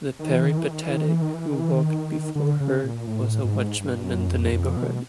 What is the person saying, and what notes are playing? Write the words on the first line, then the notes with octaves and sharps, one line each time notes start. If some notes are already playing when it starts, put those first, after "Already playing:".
The peripatetic who walked before her was a watchman in the neighbourhood.
D#3
E3
D#3
E3
D#3
E3
D#3
E3
D#3
E3
D#3
E3
D#3
D3
C#3
A#2
A2
G#2
G2
F#2
F2
F2
B2